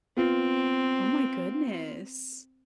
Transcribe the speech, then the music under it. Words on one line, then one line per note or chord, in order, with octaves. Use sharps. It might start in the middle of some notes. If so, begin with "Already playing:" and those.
Oh my goodness.
B3 C4 F4